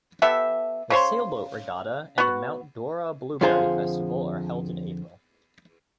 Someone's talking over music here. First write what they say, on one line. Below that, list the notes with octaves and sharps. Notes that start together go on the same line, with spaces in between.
The Sailboat Regatta and Mount Dora Blueberry Festival are held in April.
B3 G4 A4 E5
C#3 C5 C#5 C6
B3 F#4
F2 D3 F4 G#4 C5 A#5